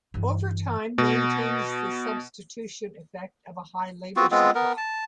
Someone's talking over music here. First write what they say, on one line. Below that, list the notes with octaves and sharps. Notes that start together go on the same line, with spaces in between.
Overtime maintains the substitution effect at a high labour supply.
G2 E3
B2
B3 C4 F4 F#4
G#3 B3 C4 F4
B3 A#4
A5